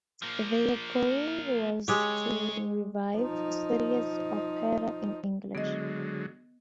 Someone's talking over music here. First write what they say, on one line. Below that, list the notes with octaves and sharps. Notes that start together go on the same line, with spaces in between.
Their goal was to revive serious opera in English.
F3 A#3
C#3 G#3 G4 C#5
F3 D#4
D3 F#3 G#3 B3 D#5